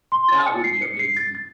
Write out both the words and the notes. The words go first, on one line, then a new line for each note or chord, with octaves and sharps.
That would be amazing.
C6
A6
C#7
C7
C#7
C7
A6
A6